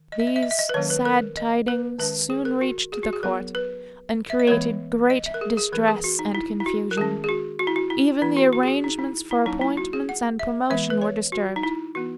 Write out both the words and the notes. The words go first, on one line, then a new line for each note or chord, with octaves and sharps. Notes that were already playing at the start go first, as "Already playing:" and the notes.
These sad tidings soon reached the Court, and created great distress and confusion: even the arrangements for appointments and promotion were disturbed.
Already playing: D#3
D#5
E5
D#5
E5
D#5
E5
D#5
B4
D#3 F#3 A#3 C#4 C#5
B4
A#4
D#5
B4
D#3 G#3 C#4 B4
G#4
A#4
F#4
G#4
F#4
G#4
F#3 B3 A#4
B4
E5
D#5
E3 G#3 B3 C#5
D#5
E5
A#4
G#4
G#4
E3 G#3 B3 A#4
G#4
F#4
D#4
E4
E4
F#4
A#4
D#3 G#3 C#4 G#4
G#4
F#4
F#4
E4
F#4
E4
E3 B3 E4
F#4
F#4
G#4
F#4
D#4
E4
E4
F#3 A#3 C#4 D#4
E4
F#4
G#4
F#5
E5
E3 G#3 B3 E5
B4
C#5
F#4
D#4
E4
E3 B3 F#4